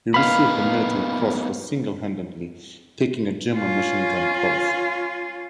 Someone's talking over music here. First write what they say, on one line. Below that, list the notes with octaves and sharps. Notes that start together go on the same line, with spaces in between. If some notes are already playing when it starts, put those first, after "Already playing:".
He received the Military Cross for single-handedly taking a German machine-gun post.
A#3 B3 D#4 F5 B5
C#4 F4